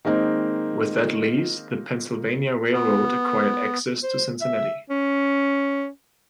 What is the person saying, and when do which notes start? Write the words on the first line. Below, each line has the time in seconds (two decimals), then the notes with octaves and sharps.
With that lease, the Pennsylvania Railroad acquired access to Cincinnati.
0.05 D#3 G#3 A#3 C4 D#4
2.73 B3
4.03 C5
4.41 E5
4.90 C#4